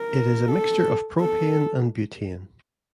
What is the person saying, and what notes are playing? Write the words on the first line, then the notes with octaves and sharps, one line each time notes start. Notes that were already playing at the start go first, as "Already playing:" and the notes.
It is a mixture of propane and butane.
Already playing: A#4
A4
A4